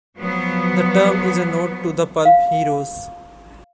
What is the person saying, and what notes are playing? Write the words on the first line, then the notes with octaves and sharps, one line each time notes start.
The term is a nod to the pulp heroes.
F3 F#3 B3
F5